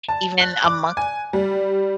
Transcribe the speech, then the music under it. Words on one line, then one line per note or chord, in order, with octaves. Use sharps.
even in among
A5
F#6
D6
G#5
G3